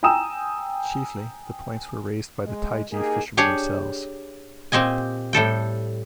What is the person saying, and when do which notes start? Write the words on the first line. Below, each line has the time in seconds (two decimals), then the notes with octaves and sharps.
Chiefly the points were raised by the Taiji fishermen themselves.
0.03 G5 G#5 A#5 D#6 E6 E7
2.45 G#3
2.91 A#3 D#4 G4 G#4
3.37 D4 G4 G#4 C#5
4.72 A#2 C4 G4 D#5 G#5
5.33 A2 G3 A4 G5